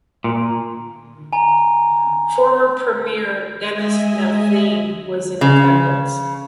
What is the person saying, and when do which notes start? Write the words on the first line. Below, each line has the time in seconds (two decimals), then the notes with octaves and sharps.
Former premier Denis Napthine was in attendance.
0.24 A#2
1.33 G#5 A#5
3.72 G#3 D#5 E5 G#5
5.41 C#3